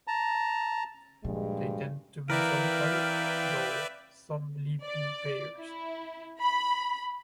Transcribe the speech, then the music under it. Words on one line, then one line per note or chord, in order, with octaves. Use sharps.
They tend to be solitary, though some live in pairs.
A5 A#5
D2 G2 A#2 F3 G#3
E3 C4 A#4 B4 D5 E5 F5 G5
D5
E4
B5